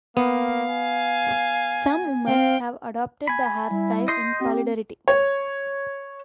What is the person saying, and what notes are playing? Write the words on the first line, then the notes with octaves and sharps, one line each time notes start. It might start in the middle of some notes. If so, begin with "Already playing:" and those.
Some women have adopted the hair style in solidarity.
A#3 B3 F5
G#5
C4 F5 G5
G#5 B5
G3 E4
D#5 C6 D#6 G6
C4 G4
C#5